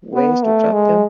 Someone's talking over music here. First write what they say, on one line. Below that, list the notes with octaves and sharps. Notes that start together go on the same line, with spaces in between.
Ways to trap them?
B3
A3
G#3